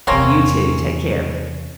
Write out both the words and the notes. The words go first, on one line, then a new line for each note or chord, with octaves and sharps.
You too, take care.
E2 C3 A#3 C4 C#4